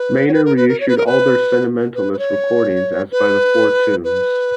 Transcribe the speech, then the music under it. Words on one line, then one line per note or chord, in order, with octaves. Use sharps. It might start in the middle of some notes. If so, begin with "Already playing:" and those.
Manor reissued all their Sentimentalists recordings as by the Four Tunes.
Already playing: B4
C#5
B4
A#4
B4
A#4
C#5
B4
A#4
B4
B4
B4
C#5
B4
B4